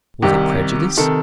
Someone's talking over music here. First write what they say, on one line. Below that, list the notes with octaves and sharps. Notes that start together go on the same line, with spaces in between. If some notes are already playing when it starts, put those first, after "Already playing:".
Was it prejudice?
C2 C3 D#3 G4
C3 D#3 A4